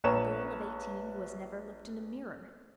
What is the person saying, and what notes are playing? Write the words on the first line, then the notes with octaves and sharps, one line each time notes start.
A girl of eighteen who has never looked in a mirror!
A#1 B4 C#5 A#5 E7